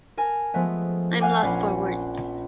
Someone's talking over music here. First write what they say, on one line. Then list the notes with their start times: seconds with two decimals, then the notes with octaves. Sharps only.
I'm lost for words.
0.17 A#4 G#5 A5
0.54 F3 G#3 A3 B3
1.20 F5 F#5 G#5 D6
1.43 A#1 C#4 B5